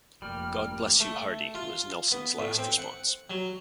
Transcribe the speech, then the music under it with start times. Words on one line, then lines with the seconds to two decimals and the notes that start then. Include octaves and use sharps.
"God bless you Hardy" was Nelson's last response.
0.22 F1 G3 A#3 F6
1.00 A3
1.55 F4
2.12 B3
2.38 A2
2.58 C4
2.78 F#5
3.30 F#3